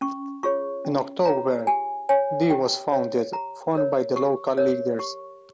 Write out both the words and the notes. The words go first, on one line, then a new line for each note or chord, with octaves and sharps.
In October, the was founded, formed by local leaders.
C#4 C#6
F4 G#4 C#5 C#6
C#4
F4 G#4 C#5 A#5
G4 G#5
C#5 G#5
G4 G5
C#5
G4 A#5
A#4 C#5
G4 C#6
A#4 C#5
G4 C#6